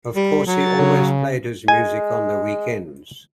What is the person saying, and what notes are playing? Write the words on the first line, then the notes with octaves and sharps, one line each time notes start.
Of course, he always played his music on the weekends.
G3
F#3
A6
C#3
G#3 G#5